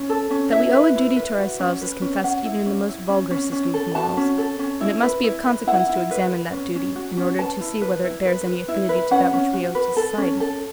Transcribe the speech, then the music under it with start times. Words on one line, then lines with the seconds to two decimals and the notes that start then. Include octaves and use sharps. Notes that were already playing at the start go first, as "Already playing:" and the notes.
That we owe a duty to ourselves is confessed even in the most vulgar system of morals; and it must be of consequence to examine that duty, in order to see whether it bears any affinity to that which we owe to society.
Already playing: C#4
0.09 A4
0.31 C#4
0.52 E4 E5
0.73 B4
0.95 E4
1.16 B4
1.38 F#4
1.59 C#4
1.81 B4
2.02 C#4
2.24 C#4 F#5
2.45 E4
2.66 C#4
2.89 E4
3.09 C#4
3.31 C#4
3.52 C#4
3.74 A4
3.95 F#4 A5
4.17 C#4
4.38 A4
4.59 C#4
4.81 E4
5.02 B4
5.24 E4
5.46 B4
5.67 E4 F#5
5.89 E4
6.11 B4
6.32 B4
6.53 C#4
6.75 C#4
6.96 F#4
7.17 C#4
7.38 B4 A5
7.60 E4
7.81 B4
8.04 E4
8.26 B4
8.46 B4
8.68 E4
8.89 B4
9.11 C#4 F#5
9.33 C#4
9.53 F#4
9.75 B4
9.97 A4
10.18 C#4
10.40 A4